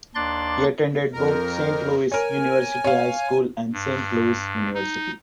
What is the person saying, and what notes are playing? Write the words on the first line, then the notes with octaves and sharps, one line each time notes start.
He attended both Saint Louis University High School and Saint Louis University.
D#2 D4 D5 C6 F#6 A6
F2 A#4
A#4 C#5 G#5
C#5 F5
G2
D#4